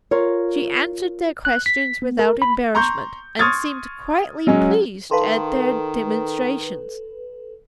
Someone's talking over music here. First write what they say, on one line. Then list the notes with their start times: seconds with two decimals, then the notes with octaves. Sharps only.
She answered their questions without embarrassment, and seemed quietly pleased at their demonstrations.
0.11 F4 A#4 C#5
1.45 F#6
1.66 B6
2.02 B3
2.19 A#4
2.42 B5
2.75 A#5 C6 C#6 G6
3.39 C6 C#6 D#6 F6 G#6 A6
4.47 F#3 G#3 C#4
5.11 D#3 A4 B4 F5 A5 C6